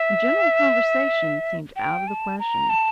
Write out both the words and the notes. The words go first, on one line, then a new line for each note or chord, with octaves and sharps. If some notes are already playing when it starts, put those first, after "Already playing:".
And general conversation seemed out of the question.
Already playing: E5
G5
A5
A#5
A5